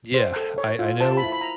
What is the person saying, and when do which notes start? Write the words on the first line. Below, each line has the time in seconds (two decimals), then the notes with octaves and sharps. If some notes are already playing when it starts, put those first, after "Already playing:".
Yeah, I I know
0.14 C5
0.36 A4
0.58 C#5
0.79 F4
1.00 C5 A5
1.17 B5
1.23 E4
1.32 B5
1.41 A#5